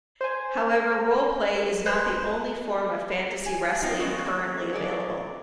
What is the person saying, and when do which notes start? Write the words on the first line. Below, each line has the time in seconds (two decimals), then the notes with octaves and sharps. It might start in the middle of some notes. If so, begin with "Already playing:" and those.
However, roleplay is not the only form of fantasy wrestling currently available.
0.21 C5 G#5
1.86 B4 C5
3.46 G#5
3.82 F3 B3 C4 D#4 F4
3.99 G3 G#3 B3 C#4 F#4
4.26 A#3
4.73 F#3 G#4 D5